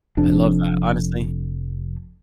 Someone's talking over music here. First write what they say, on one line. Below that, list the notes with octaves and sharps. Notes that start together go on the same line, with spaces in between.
I love that, honestly.
F1 F2 D4